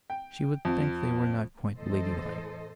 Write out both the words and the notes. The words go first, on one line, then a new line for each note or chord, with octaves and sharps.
She would think they were not quite ladylike.
G5
F2
E2 A2 A4 C5 D#5